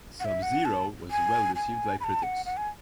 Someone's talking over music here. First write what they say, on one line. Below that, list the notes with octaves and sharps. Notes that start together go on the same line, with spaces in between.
"SubZero" was well received by critics.
F#5
E5
F#5
A5
G#5
G#5
B5
A5
F#5
F#5
G#5